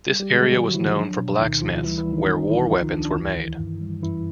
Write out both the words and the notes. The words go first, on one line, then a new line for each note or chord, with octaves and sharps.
This area was known for blacksmiths where war weapons were made.
G3
G3 G4
D3 G#3 G#4
G#3 G#4
F3 G3 G4
F#3 F#4
E3 F3 E4
D#3 D#4
F#3 D4
B2
D2 D#3 D#4
D2 F3 F4
E3 G3 E4
E3 E4
G3
D#3 D#4
A#1 D#3 D#4
A#1 E3 E4
C#2 F3 F4
D#3 D#4
C#2 D4
D4
D#2 E3 E4
D#3
G2
G3
F#2 E3 E4